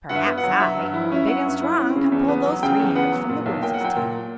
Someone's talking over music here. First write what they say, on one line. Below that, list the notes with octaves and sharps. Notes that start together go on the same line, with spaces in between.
"But perhaps I, who am big and strong, can pull those three hairs from the Woozy's tail."
G2 F#5
E5
B3
F#5
F#3
F#3 E5
G2
E4
C#4 E5
F#3 F#5
G2
E4
C#4
C#3
E2
B3
F#3
C#3 G5
E2
B3 F#5
F#3
A#2
B1
A#3 G5
F#5
F#3 G5
A#2